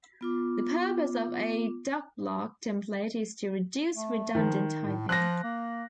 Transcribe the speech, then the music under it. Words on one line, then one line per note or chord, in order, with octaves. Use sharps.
The purpose of a DocBlock template is to reduce redundant typing.
B3 F4 D6
A3
D#3 F3
A2
F3 F#6 A#6
A#3